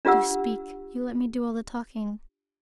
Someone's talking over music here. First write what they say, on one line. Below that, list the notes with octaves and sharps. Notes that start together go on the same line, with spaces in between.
Do speak! You let me do all the talking.
D4 F4 G4 F#5 E6